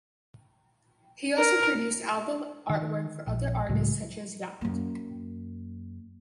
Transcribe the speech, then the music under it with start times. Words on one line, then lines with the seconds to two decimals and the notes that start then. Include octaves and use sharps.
He also produced album artwork for other artists such as Yacht.
1.38 A#4
2.70 D#3
3.27 A#1
3.68 C#2 A2 F#3 G#3
4.61 F#2 A#3